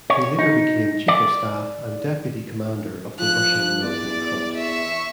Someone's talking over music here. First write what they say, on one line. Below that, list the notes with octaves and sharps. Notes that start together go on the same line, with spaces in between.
He later became chief of staff and deputy commander of the Russian Northern Front.
C#5
D#4
D5
F3 F#6
E2 D5
E5 C#6